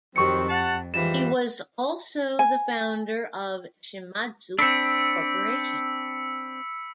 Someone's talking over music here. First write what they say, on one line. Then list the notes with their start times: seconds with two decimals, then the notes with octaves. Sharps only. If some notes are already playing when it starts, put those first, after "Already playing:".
He was also the founder of Shimadzu Corporation.
0.16 F2 D#3 F#3 C4 G4 C#6 C#7
0.49 F#5 A5
0.94 G#2 E3 F3 G3 E7
2.39 G#5
4.59 C4 D4 B5 E6 B6 C#7 D7